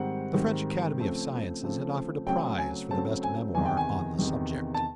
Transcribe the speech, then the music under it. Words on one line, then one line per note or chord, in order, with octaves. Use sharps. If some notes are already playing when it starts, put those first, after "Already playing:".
The French Academy of Sciences had offered a prize for the best memoir on the subject.
Already playing: G#2 D#3 G3 C4 F#5
G#2 D#3 G3 C4
C#3 F3 A3 C4
C#3 F3 A3 C4
C#3 F#3 A3 C4 G5
G#5
C#3 F#3 A3 C4 A5
G#5
E2 C3 D#3 G#5
G5
G#5
E2 C3 D#3
A5